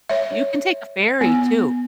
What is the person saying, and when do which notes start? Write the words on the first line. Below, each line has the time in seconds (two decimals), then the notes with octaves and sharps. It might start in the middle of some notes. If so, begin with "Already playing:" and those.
You can take a ferry too.
0.09 C#5 E5
1.21 B3